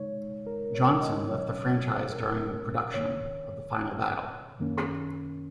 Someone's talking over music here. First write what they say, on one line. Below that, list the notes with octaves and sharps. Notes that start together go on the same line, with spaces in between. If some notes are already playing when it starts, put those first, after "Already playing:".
Johnson left the franchise during production of "The Final Battle".
Already playing: C#3 G#3 D#4 C#5
A#4
C#5
D#5
C#3 F#3 C#4 C#5
A#4
G#2 D#3 A#3 C#5
F#2 D#3 A#3 C#4